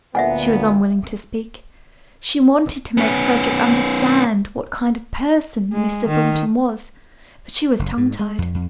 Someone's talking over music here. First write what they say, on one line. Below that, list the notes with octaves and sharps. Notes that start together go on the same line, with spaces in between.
She was unwilling to speak; she wanted to make Frederick understand what kind of person Mr. Thornton was--but she was tongue-tied.
D2 A#2 B3 E5 F#5 G#5
B3 C#4
G#3
D#3
F#1
G#2
G#3
F2
F2